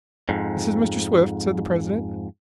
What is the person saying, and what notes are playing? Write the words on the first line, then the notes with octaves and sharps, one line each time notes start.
"This is Mr. Swift," said the president.
F2 G#2